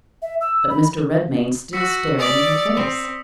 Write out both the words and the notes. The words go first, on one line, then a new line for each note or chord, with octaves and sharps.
But Mr. Redmain still stared in her face.
E5
E6
B5
F#4 E6 B6 C#7
D5 D#6 B6
C4